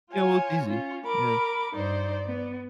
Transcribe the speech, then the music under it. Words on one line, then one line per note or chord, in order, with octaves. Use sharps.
Yeah, well, it's easy. Yeah.
F4 C#5 G#5
C#4 F4
A#4 B5 D6
G2 D#4 C5 D5
B3